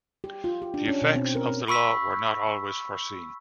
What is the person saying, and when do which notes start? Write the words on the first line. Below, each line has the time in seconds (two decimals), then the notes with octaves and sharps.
The effects of the law were not always foreseen.
0.24 G4
0.44 F4
0.62 G4
0.74 D4
0.88 C#4
1.02 B2
1.16 C4
1.35 A#4
1.68 B5 C#6 E6 B6